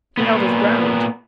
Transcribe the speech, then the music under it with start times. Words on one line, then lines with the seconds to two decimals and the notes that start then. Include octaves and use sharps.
He held his ground.
0.17 A#2 B3